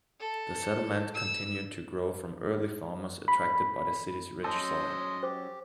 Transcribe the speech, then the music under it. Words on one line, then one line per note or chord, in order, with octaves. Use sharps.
The settlement continued to grow from early farmers attracted by the city's rich soil.
A4
E6
B5
F#3 C#4 A4 C5 D#5 A5 C6
G4 C5